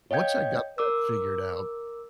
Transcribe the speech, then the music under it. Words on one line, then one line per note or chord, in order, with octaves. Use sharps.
once I got that figured out
C#5 D#5 F5 G5 G6 G#6
A#4 D6 E6